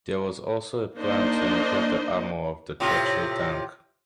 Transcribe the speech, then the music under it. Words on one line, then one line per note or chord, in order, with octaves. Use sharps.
There was also a plan to improve the armor of the Churchill tank.
A#3 D4 D#4 C5 D#5
A2 C3 F4